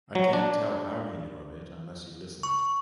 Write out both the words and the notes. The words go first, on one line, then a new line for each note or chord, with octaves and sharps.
I can’t tell how he knew of it, unless he listened.
F#3
D4
C#6